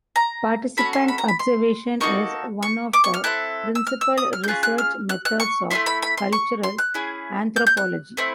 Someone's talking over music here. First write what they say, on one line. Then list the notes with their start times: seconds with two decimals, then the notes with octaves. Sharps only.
Participant observation is one of the principle research methods of cultural anthropology.
0.16 A#5
0.77 C#4 F#4 A4 B5
0.93 C6
1.08 B5
1.18 A#5
1.28 B5
1.39 C6
2.01 A#3 D#4 F#4 A4 C#6
2.63 C#6
2.93 D6
3.04 C#6
3.14 F6
3.24 C4 E4 A4 F#6
3.75 E6
3.87 F6
4.01 E6
4.18 D#6
4.33 F6
4.44 G6
4.48 C#4 F4 G#4 F#6
4.63 F#6
4.78 F6
5.09 F#6
5.25 F#6
5.40 C#6
5.71 A3 C#4 E4 C6
5.86 B5
6.02 B5
6.18 C6
6.33 C#6
6.63 C6
6.78 F#6
6.94 C#4 E4 G#4
7.56 G6
7.67 G6
7.77 F#6
8.17 A3 C4 E4